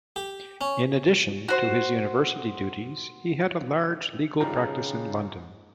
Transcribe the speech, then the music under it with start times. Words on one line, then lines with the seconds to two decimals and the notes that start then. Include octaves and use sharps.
In addition to his university duties, he had a large legal practice in London.
0.16 G4
0.61 C#4
1.48 F#4 C5
4.40 G#2 C#3 F3 G3 A#5